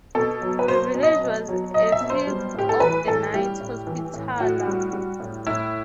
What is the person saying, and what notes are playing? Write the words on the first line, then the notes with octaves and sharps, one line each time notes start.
The village was a fief of the Knights Hospitaller.
B2 A4
F#3
B4
F#3 C5
B2
D#5
B2
F#3
F#3 D#5
E5
B2
C5
G3
A2 G4
A4
E3 B4
A2 A4
G3 G4
A2
E3
A2
A2 F#4
G3
G3
A2
A2 E4